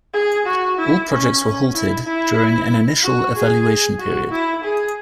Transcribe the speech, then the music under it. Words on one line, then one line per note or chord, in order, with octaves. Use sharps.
All projects were halted during an initial evaluation period.
G#4
F#4
E4
C#4
C#4
E4
E4
F#4
G#4
F#4
E4
G#4